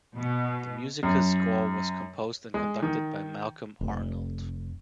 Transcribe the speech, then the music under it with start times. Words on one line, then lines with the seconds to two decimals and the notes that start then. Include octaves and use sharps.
The musical score was composed and conducted by Malcolm Arnold.
0.16 B2
1.03 F#2
2.54 G#3
2.82 D#3
3.81 F1